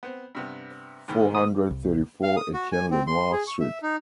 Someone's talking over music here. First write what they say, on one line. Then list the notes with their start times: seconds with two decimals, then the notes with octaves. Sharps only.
Four hundred thirty-four Etienne Lenoir Street.
0.03 B3 C4
0.35 G2 C3 B3
1.08 G#2 B2 D#3
1.35 D#6
1.71 C2
2.23 F5
2.37 D#6
2.54 F#4
2.72 G#5
2.91 C4
3.07 C6
3.32 G#4
3.47 C#6
3.60 E5
3.83 D#4